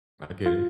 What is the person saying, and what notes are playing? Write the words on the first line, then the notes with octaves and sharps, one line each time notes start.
I get it.
F4